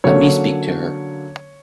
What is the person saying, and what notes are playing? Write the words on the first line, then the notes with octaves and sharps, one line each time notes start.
Let me speak to her.
D3 F#3 A#3 C#4 C#5